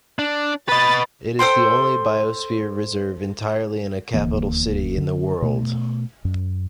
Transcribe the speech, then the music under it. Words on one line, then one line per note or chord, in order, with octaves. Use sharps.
It is the only Biosphere Reserve entirely in a capital city in the world.
D4
B4 D#5 B5 A6
A4 C5 G5 C6
D#1 D2 E3 A#3
D3
B2 A3
F#2